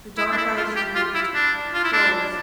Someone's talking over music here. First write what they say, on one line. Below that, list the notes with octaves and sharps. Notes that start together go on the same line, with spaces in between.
The dark eyes drooped--closed.
E4
D4
E4
F4
G4
F4
E4
D4
F4
E4
D4